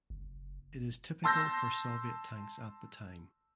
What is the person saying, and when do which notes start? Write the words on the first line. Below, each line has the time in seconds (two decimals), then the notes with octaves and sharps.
It is typical for Soviet tanks at the time.
0.10 F#1
1.24 A5 C6 E6 G6 A#6